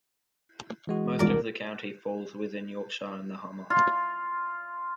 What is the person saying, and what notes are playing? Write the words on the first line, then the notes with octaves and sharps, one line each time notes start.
Most of the county falls within Yorkshire and the Humber.
E3 G#3 F#4
E1 C2 A#4 D5
F4